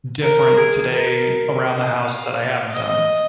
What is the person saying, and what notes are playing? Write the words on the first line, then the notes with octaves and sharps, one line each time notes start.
"different today around the house that I haven't done."
A#4
G#4
A#4
D#5
F5
D#5